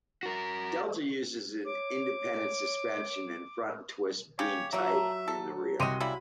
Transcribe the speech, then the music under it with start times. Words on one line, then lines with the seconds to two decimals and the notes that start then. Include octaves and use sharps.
Delta uses an independent suspension in front and Twist beam type in the rear.
0.23 F#4 A#4
1.65 C#5 D6
4.39 C#3 G4 C#5
4.73 D3 F#3 A3 A#3 E5
5.28 A4
5.80 C2 F#4 G4 D#5 C6 D#7
6.00 C#3 G3 E4 B5